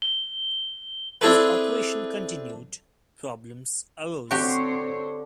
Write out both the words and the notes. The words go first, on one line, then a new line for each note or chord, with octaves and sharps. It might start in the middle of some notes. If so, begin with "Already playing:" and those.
As operation continued, problems arose.
G7
C4 D4 E4 G#4 A4 B4
D3 C4 F#4 G4 C5 C#5